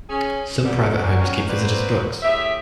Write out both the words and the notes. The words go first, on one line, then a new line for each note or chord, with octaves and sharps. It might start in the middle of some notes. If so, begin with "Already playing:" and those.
Some private homes keep visitors' books.
C#4 G#4
F2 G#2 D3 G3 B3
F#2 F#3 D4 F#4
D#3 F#3 B3 C#4
A#3 C4 F#4 B4 C5 D5
A2 G4 G#4 E5